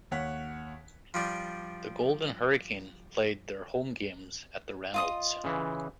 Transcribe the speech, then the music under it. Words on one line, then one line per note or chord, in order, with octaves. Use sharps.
The Golden Hurricane played their home games at the Reynolds Center.
D#2 C#5 F#5 B6
F3 G3 D4
F4 D#5 D#6
C#3 E3